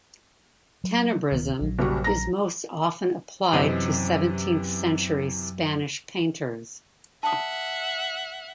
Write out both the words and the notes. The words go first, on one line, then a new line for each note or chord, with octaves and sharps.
Tenebrism is most often applied to seventeenth-century Spanish painters.
F#3
D1 D#3 B3
A#1 F#3
F#1 G3 F#4
A#5 A#6
F#2 C3 E3 C4 D#5
E5 F#5 A5 D#6